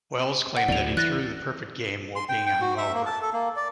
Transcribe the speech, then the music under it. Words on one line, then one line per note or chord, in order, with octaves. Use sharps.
Wells claimed that he threw the perfect game while being hung over.
F#5
D2 A2 D5 F7
E3 F#6 A6 A#6
C6
G5
G5
F#4
E5
A#3
A5
A4
A#3
D5